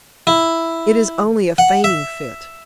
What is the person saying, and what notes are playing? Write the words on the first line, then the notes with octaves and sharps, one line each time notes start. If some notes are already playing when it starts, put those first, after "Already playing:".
"It is only a fainting fit."
E4
F#5
E5